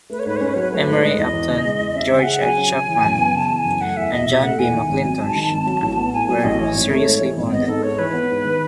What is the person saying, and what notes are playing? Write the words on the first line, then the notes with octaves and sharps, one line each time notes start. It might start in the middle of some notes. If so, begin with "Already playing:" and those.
Emory Upton, George H. Chapman, and John B. McIntosh were seriously wounded.
A3 B4
C#5
G#2 B4
C#5
C#4 B4
F#3 C#5
B4
A3 C#5
B4
G#2
G#3 D#5
E2
E2
C#3
G#3
E2
C#4 E5
C#3
G#5
G#4 F#5
F#3 G#5
C#4
C#3
E3
F#2
B3
C#3 A5
E3
G#5
F#2
A3 F#5
E2 E5
E2 D#5
B2 E5
A3 F#5
E2 G#5
D#3
G#1
F#3
G#2 A5
D#3
G#1
F#3
A1
B3
A2 G#5
F#3 G#5
A1 D#5
E3 C#5
G#1
A3
G#2
E3
G#1
B3 D#5
G#2 A4
G#2 C#5
E3 B4
B3
G#2
D#3